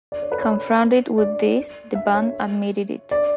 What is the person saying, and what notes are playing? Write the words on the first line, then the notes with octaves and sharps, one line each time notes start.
Confronted with this, the band admitted it.
D5
C#5
B4
C#5
D5
E5
C#5
D5